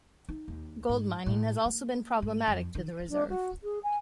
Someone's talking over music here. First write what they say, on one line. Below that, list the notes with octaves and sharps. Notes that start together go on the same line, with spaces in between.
Gold mining has also been problematic to the Reserve.
D#4
D#2
G#2
A2
A#3
G#2
F2
D#3
D4
F#4
G#4
G#5